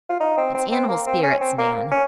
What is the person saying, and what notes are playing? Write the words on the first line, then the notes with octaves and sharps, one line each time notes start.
It's animal spirits, Nan.
F4
D#4
C4
C4
C4
A#3
C4
C#4
C4
A#3
C#4